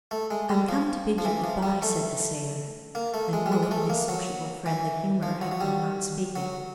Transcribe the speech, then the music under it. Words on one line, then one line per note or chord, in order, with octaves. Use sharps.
"I'm come to bid you good bye," said the sailor, and would in his sociable friendly humour have gone on speaking.
A3
G#3
G3
F3
F3
E3
F3
G3
A3
A#3
A3
G#3
G3
G#3
G#3
A3
A#3
F#3
E3
F3
F#3
F#3
G3
F#3